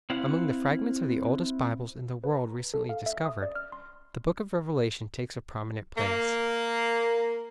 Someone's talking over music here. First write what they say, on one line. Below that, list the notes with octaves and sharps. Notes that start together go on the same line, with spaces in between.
Among the fragments of the oldest Bibles in the world recently discovered, the Book of Revelation takes a prominent place.
C4 E4 F5 F#5
B4
A#5
A4
F5
E5
D#6
D5
F6
C6
A#3